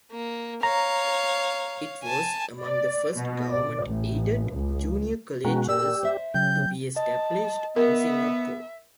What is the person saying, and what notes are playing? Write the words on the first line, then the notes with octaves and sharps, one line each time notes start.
It was among the first government-aided junior colleges to be established in Singapore.
A#3
C#5 F5 A#5
G#5 A5
D5
B2
D5
A1
C#2
B2 G#3 C#4 F#4 F#5 G5 A#5
A#2 G4 D5 E6
C5 E5
C#3 F#3 G5 G6
D#5 A5
B3 A#4 E5